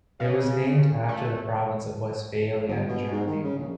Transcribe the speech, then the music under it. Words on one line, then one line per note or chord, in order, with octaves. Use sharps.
It was named after the province of Westphalia in Germany.
C#3
A3
G1
B2
G#2
D#3
C#3
A#1